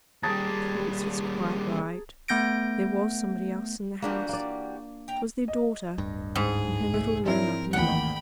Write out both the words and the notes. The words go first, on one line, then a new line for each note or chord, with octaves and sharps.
The Prince was quite right, there was somebody else in the house--it was their daughter, in her little room up in the loft.
D#2 G3 G#4 A5 A#5
A3 B3 G6 A#6 D7
E3 G3 A#3 D4 F4 F#4
A#3 D5
G5 A#5
D#5
D1 G2
G#2 G#4
D#1 C2 A3
F3 C4 D4 E4 A#4 C#5
A1 D#2 F#5 G5 B5